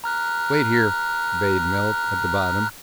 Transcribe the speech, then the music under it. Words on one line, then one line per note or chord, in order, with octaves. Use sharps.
"Wait here," bade Milt, at the bottom.
A#5 F6 F#6